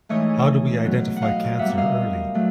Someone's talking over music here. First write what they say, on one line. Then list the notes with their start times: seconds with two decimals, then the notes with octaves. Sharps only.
How do we identify cancer early?
0.09 G#2 E3 A3 C#5 D#5
0.84 B2 F#3 B3
1.16 F#5
1.22 D#5 F5
1.59 A#2 G3 B3 E5 F#5
1.78 D#5 F5
2.34 F#3 A3